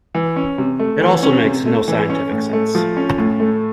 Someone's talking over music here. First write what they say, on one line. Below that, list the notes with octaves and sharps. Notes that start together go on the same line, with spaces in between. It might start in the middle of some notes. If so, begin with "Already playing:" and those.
It also makes no scientific sense.
E3
C#4
C3
A3
E3
C#4
C3
A3
E3
C#4
A2
A3
F3
C#4
A2
A3